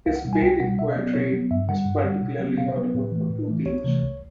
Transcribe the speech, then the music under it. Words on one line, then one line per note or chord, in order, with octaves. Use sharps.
His Vedic poetry is particularly notable for two themes.
C2 F5
F#5
B2 G3
G#5
C2 G5
B2 G3 F#5
B2 E5
D#5
F#3 B3 D5
B2 C#5
F#3 B3
G2 E5
D3 G3 F#5
G2
D3 G3
B2
F#3 B3
B2 F5
C5
F#3 B3 B4
A2
E3 A3
A2
E3 A3
C2 C#5
C3 E3 A3
C2